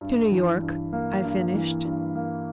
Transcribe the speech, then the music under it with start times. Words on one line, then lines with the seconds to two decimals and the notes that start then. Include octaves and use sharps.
"To New York," I finished.
0.01 G2
0.31 E3
0.62 G2
0.93 A#3
1.23 G2
1.54 E3
1.85 G2
2.15 A#3